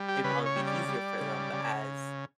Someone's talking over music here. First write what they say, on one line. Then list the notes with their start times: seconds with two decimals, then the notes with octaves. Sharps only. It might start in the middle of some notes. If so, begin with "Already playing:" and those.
it'd probably be easier for them. But as
Already playing: G3
0.09 G4
0.24 C#3 B4
0.46 C#5
0.56 G3
0.67 D5
0.88 G3
1.21 C#3
1.53 C#3